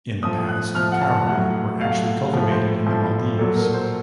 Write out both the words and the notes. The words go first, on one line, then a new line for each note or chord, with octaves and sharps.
In the past, cowry were actually cultivated in the Maldives.
A2 F3 D#6
F#6
A2 F3 F6
F#5
A5
A2 F#3 F#5
A2 F#3 F5
A2 F3
C5
A2 F3
A#2 F#3 A4
A#4
C5